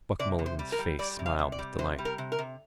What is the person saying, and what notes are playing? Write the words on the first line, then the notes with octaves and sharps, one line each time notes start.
Buck Mulligan's face smiled with delight.
C3 D5
C3
C5
G3
A#4
G3
G3 D5
C3
F5
C3
D5
G3
C3 C5
G3
A#4
C3
A#4
C3